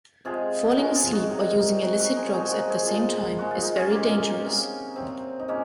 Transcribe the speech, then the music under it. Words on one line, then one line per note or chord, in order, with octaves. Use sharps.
Falling asleep or using illicit drugs at the same time is very dangerous.
C3 F3 G#3 F4 G#4
C3 F3 G#3 F#4 A#4
F4 G#4
D#4 F#4
C3 D#3 F#3
C3 D#3 F#3 F#4 A#4
F#4 A#4
G#4 C5
C#5
A#2 F3 G#3 G#4 C5
F#4 A#4
G#4 C5
A#2 F3 G#3 F4 G#4
A#2 G#3 F#4
F4
D#4
C#4 F4
A#2 G#3 A#3 C#4
C3 F#3
C3 F#3 C4
D#4
A#2 G#3 A#3 C#4